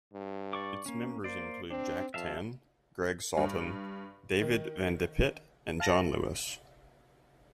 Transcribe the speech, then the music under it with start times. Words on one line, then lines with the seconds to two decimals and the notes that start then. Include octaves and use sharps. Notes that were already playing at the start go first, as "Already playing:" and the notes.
Its members include Jack Tann, Greg Sawton, David Van DePitte and John Lewis.
0.13 G2
0.53 D5 C#6 D6
0.86 A#3 C#4
1.24 A#3 C5 D5
1.70 C4 D4
2.14 F2 E5 F5 A5
3.37 G2
4.41 D#3
5.80 F5 A5 A6 A#6